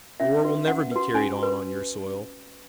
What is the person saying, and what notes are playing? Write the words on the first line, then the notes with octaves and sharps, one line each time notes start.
The war will never be carried on on your soil.
C#4 E5
F#4 B4
C#4 F#5
F#4 B4
C#4 G#5
F#4 B4